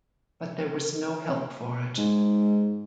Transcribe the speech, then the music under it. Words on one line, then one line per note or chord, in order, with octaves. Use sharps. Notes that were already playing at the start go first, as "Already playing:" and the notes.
But there was no help for it.
G#2